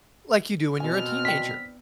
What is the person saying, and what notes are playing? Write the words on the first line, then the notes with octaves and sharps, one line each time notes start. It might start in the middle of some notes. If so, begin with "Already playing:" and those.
Like, you do when you're a teenager.
B2 B3 C4 A4 G#5 F6
E3 D4 G5 B6